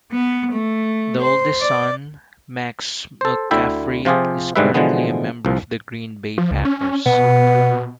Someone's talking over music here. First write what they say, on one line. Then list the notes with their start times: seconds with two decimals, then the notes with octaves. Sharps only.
The oldest son, Max McCaffrey, is currently a member of the Green Bay Packers.
0.12 B3
0.53 A3
1.20 C5
1.61 D5
3.21 A4 C5
3.51 D2 D3 E4 E5 G5
4.05 C3 F3 F4 G4 G#4
4.56 G#2 D3 G3 G#3 B4 E5
4.74 B2 D3 E3 F3 G#3 B3
5.45 C2 F3
6.38 F3
6.51 C#2
6.65 C#4
7.06 B2 B3